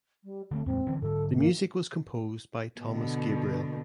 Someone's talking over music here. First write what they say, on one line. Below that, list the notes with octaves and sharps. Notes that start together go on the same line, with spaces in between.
The music was composed by Thomas Gabriel.
G3
D3 A3 B3 C4
E2 A2 G#3 C4
D3 E3 C#4
G#2 D3 A4
A#3
B2 D3